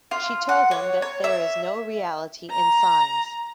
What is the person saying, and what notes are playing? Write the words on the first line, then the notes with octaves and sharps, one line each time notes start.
She told them that there is no reality in signs.
F4
F#5
C#5
C#5
E5
A#5